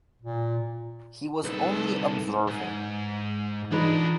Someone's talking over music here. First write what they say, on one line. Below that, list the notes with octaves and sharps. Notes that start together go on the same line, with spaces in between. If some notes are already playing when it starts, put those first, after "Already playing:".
He was only observing.
A#2
C2 D#4 G#4 A4 B4
G#2
E3 D4 D#4 F4 G#4 A#4 B4 A#5